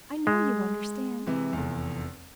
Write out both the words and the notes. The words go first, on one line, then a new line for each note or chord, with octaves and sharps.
I know you understand.
G#3
C3 E3
F1 E2